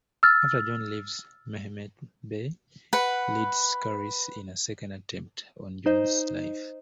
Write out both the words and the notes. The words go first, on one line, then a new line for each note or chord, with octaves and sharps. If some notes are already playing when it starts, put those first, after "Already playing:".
After John leaves, Mehemet Bey leads Kharis in a second attempt on John's life.
E6 F6 A6
B4 F#5
D#4 C5 D#5